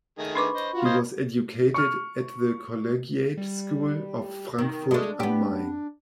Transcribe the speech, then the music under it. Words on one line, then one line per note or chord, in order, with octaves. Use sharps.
He was educated at the Collegiate School of Frankfurt am Main.
D#3 A3 G#4
D4 B4 B5 C#6 D6
C5 D#5
F4 F#4
A#4 C5 D#5 D#6 G#6
C#6 F6
G3
D#3
G#3 A3 D4
B3 G4